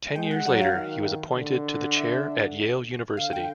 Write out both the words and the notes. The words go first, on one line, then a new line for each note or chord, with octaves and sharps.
Ten years later he was appointed to the chair at Yale University.
G#3 G5
F#5
F#3 F#5
F5
D#3
D3
E5
D3 F5
G5